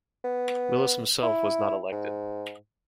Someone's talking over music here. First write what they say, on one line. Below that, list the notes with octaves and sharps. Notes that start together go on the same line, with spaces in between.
Willis himself was not elected.
B3
E4
G#2